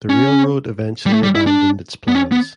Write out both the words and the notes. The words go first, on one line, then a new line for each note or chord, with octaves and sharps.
The railroad eventually abandoned its plans.
C#4
G3
A3
G3
E4
D4
B3
C#4
B3